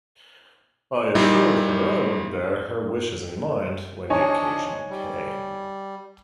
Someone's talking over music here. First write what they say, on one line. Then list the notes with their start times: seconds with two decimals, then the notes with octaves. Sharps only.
I assured her I would bear her wishes in mind when the occasion came.
1.15 A#2 G3 D#4 E4
4.10 F3 D4 D#4 C#5 D#5 G#5
4.90 G3